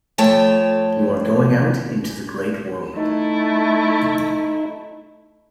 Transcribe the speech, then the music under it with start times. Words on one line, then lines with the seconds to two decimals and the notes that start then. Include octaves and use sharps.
You are going out into the great world.
0.18 F2 F3 A3 C#5 G5 A5
2.96 A3 D#4 E4